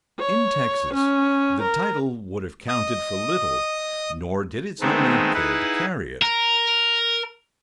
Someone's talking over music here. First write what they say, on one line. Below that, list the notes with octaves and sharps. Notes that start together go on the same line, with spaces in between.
In Texas the title would have counted for little; nor did its owner care to carry it.
C#5
C#4
A#4
D#5 D#6
D#3 G#3 A3 B3 C4 D#4
D#4 E4 G#4 B4 F#5
A#4